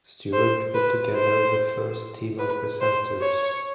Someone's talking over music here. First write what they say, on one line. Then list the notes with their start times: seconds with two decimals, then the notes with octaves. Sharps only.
Stewart put together the first team of presenters.
0.33 C5
0.75 B4
1.16 C5
2.39 B4
2.81 C5
3.22 C#5